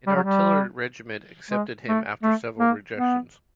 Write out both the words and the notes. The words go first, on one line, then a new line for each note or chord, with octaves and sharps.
An artillery regiment accepted him after several rejections.
G3
F#3
G3
G#3
A3
A3
A#3
B3